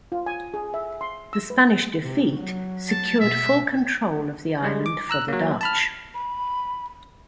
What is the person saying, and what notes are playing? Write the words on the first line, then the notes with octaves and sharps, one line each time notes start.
The Spanish defeat secured full control of the island for the Dutch.
F4
G#5
G#4
E5
C6
E6
B4
C3
F#3
A5
B2 E5
G3 G#3
D6
A#5 E6 F#6
F#3 A#3
A5 B5 F6
B5